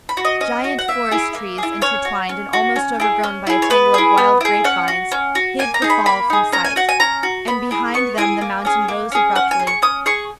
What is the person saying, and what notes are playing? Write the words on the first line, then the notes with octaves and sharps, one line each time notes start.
Giant forest trees, intertwined and almost overgrown by a tangle of wild grapevines, hid the fall from sight, and behind them the mountain rose abruptly.
B5
F#4
D#5
C#4 D#5
F#4
F#5
A#3 E5
E4 G#4
A#3
E4 G#4
C#4 C#5
F#4
C#4
F#4
C#4
E4 G#4
C#4
E4 G#4
C#5
B3 B4
E4 G#4
B3
E4 G#4
C#4 F#5
F#4
C#4
F#4
A#3 G#5
A#5
D#4 G#4
B5
A#3 B5
D#4 G#4
C#4 A#5
G#5
F#4 F#5
G#5
C#4 A#5
F#4
B3 B5
E4 G#4
B3 C#6
E4 G#4 G#5
A#3
C#4 G#4
A#3
C#4 G#4
C#4 F#5
G#5
G#4
C#6
C#4 D#6
G#4 C#6